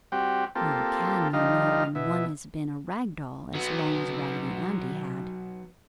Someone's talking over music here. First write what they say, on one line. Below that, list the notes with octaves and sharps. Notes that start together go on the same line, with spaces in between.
One can, you know, when one has been a rag doll as long as Raggedy Andy had.
G3 C4 F#4 G4
A#3 C4 F4 G4 A4
D#3 F3 G3 D#4 F5
B2 E4
F#3 B3